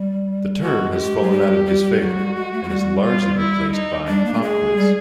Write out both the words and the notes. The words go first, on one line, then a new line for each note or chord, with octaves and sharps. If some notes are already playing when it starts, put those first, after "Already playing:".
The term has fallen out of disfavor and is largely replaced by "pop quiz".
Already playing: G3
G#3 F#4
G4
F#3
G3
G3
F#3 F#4
G3
G#3
A3
G#3
G3
F4
E4
D#4
G3 D4
A#3
A3
G#3 G#4
G3